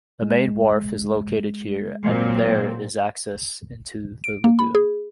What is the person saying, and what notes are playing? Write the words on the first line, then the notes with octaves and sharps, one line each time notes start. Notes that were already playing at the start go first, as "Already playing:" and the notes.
The main wharf is located here, and there is access into the lagoon.
G#3
A#2 F#3 C4
D7
A#3
B5
G#4